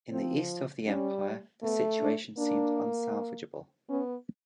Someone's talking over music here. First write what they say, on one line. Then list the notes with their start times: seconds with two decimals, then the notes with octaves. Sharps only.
In the east of the Empire, the situation seemed unsalvagable.
0.11 F3 C4
0.87 G3 C#4
1.63 A3 B3
2.01 D4
2.38 A#3 D4
3.89 B3 C#4